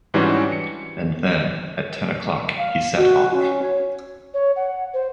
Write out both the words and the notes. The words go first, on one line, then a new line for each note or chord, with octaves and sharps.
And then, at ten o’clock, he set off.
G#2 E3 G3 C#4 D4 F#4
C#7
F5
F#4
C#4
C#5
C#5
F#5
C5